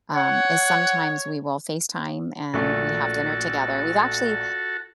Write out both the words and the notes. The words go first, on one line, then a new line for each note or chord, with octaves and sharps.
um, is sometimes we will FaceTime and we have dinner together. We've actually,
C#5 F#5
A#1 A3 F#4 A4